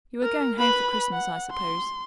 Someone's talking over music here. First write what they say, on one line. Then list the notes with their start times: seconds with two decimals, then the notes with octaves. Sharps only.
"You are going home for Christmas, I suppose."
0.23 A#4
0.59 B4 B5
1.12 F#5
1.51 C6